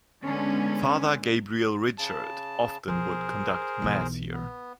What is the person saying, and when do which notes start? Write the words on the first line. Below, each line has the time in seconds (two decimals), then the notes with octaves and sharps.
Father Gabriel Richard often would conduct Mass here.
0.23 D3 G#3 B3 C#4
1.98 C#3 A5
2.88 B1 F3 G#4 A#4 C5
3.82 B1 E3
4.33 B3